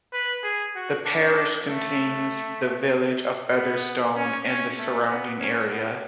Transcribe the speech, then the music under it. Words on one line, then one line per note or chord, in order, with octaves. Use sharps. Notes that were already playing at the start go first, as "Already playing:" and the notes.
The parish contains the village of Featherstone and the surrounding area.
B4
G#4
F#4
D4
A3
B3
C#4
C#4
A3
B3
C#4
B3